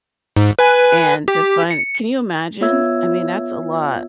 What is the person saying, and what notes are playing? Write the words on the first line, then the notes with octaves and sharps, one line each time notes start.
and to find Can you imagine? I mean, that's a lot.
G#2
B4 G#5
G4
C#7
B3 F4 C#5 E5 E6 G#6